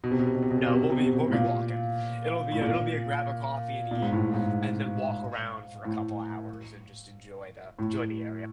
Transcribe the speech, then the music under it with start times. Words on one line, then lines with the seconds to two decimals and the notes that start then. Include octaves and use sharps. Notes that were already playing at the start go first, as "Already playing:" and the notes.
No, we'll be we'll be walking. It'll be a it'll be a grab a coffee and eat, and then walk around for a couple hours and just enjoy the joy the area.
0.04 B2
0.11 C3
0.19 B2
0.27 C3
0.35 B2
0.42 C3
0.51 B2
0.58 C3
0.66 B2
0.75 C3
0.82 B2
0.90 C3
0.98 B2
1.06 C3
1.13 B2
1.28 A2
1.33 A#2
2.52 A2
2.61 A#2
3.91 A#2
4.02 G#2
4.12 A2
4.30 A2
4.34 G#2
5.85 A2
7.79 A2